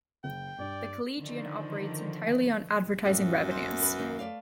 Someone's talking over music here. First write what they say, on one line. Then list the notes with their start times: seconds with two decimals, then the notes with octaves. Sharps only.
The "Collegian" operates entirely on advertising revenues.
0.24 F#1 G5
0.59 G2 D5
1.20 D3 D#3 F3
3.05 F#2 A2
3.51 C5
3.78 B3 B4
3.99 D#3 A#3 D#4
4.19 A3 D5 F5